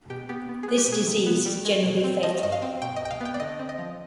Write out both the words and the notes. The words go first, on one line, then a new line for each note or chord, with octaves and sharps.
This disease is generally fatal.
B2 G4
B3 G4
B3
G#4
B3
G4
B2 G#4
C3
B3
G3
G#3
B2
C4
F3 D#5
G2 D#5
F5
C4
B2 G5
D#5
C2 G5
F5
B3 G5
D5
D3 D#5
C4
D#5
F3